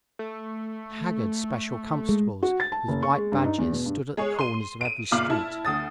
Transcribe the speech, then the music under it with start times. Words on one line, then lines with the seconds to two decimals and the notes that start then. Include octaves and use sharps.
Haggard special constables with white badges stood at the corners of every street.
0.19 A3
2.09 G#3
2.43 F#4
2.60 A6
2.72 A5
2.88 F#1
3.03 C#6
3.15 G#3
3.32 G2
3.45 D#4
3.58 E2
3.72 B2
3.86 G2
4.17 G#3 G#4 C#5
4.39 C6 D#7
4.81 D7 D#7
5.11 F#1 A#2 F5 D6 F6 F#7
5.30 E4 A5
5.65 D2 D#6 A6